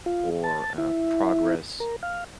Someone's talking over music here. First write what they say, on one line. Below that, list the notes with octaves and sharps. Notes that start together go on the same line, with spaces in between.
or, uh, progress,
F4
A5
E4
A#4
F5